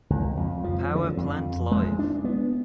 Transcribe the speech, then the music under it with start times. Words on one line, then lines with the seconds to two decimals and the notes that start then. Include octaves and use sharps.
Power Plant Live!
0.10 C#2
0.37 F2
0.64 F3
0.95 D3
1.17 F2
1.72 G#3
1.99 D4
2.24 B3